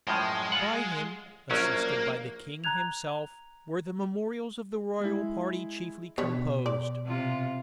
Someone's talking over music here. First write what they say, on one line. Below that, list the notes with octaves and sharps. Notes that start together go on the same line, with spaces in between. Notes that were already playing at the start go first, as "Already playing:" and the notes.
By him, assisted by the king himself, were the memorials of the royal party chiefly composed.
F#2 A2 F3 G#3
F4 F#5
A#1 F#3 A#3 C#4
A#5 F#6 G#6 F7
G#3 E4
B2 D4 C#5 B6
D5
C3 F4